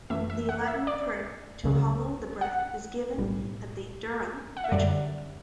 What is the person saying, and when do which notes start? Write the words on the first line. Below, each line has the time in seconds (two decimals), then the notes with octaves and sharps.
The Latin prayer to hallow the bread is given in the Durham Ritual.
0.10 F#2 E3 A3 E5
0.30 E5
0.49 F#5
0.68 E5
0.87 D5
1.64 C#2 C#3 F#3
2.41 F#5
3.18 B1 A2 G3
4.57 F#5
4.64 E5
4.72 F#2 D3 G3 D5